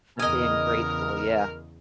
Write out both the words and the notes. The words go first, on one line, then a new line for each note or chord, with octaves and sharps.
And being grateful. Yeah.
E2 C#3 A#4 D#5 G#5 D#6 F6